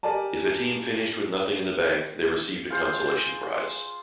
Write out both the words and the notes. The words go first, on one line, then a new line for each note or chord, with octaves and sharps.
If a team finished with nothing in the bank, they received a consolation prize.
G4 A#4 D5 G#5 A5
F4 G#4 C5